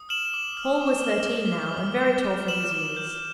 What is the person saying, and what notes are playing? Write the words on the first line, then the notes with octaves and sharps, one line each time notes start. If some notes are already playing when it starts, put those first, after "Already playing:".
Paul was thirteen now and very tall for his years.
Already playing: D#6
F6 E7 F#7
D6
F6
D6
F6
D6
D6
F6
D6
D6
F6 E7 F#7
D6
G6